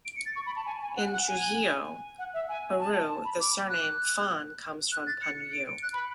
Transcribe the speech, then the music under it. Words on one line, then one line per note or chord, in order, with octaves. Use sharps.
In Trujillo, Peru the surname Fhon comes from Panyu.
D7
C#7
A6
C#6
B5
A5
G#5
G#5
F#5
F#5
G#5
F#5
E5
G#5
A5
A5
B5
D6
F#6
F#6
A6
C#7
D7
F#6
B5